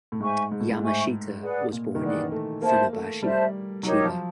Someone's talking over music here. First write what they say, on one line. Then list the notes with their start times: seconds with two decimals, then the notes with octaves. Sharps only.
Yamashita was born in Funabashi, Chiba.
0.12 A2
0.20 G#2 C5 E5 G#5 C#6
0.52 G#2
0.60 A2
0.70 G#2
0.81 C5 E5 G#5 C#6
1.42 G#4 B4 D5 F#5
1.72 A#2
1.95 D#3
2.02 E3 G#4 B4 D5 F#5
2.32 A3
2.62 A#3 C5 E5 A5
2.93 A3
3.23 G3 C5 E5 A5
3.83 F#3 D#4 G4 A#4 C#5
4.03 F3